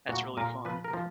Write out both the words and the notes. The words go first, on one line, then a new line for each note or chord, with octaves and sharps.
That's really fun.
A#2 F#4
A#2 A#4
F3 B4
A#4
F3